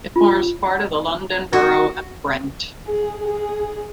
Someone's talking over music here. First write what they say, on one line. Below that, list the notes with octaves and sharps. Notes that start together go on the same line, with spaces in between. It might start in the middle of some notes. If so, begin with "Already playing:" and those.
It forms part of the London Borough of Brent.
F4
F#4
G#4
G#4